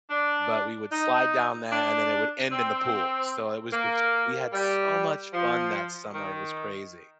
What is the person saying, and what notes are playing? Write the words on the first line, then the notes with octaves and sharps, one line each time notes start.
but we would slide down that, and then it would end in the pool, so it was just we had so much fun that summer, it was crazy,
D4
D#4
D4
C4
A#3
G3
F3
D#3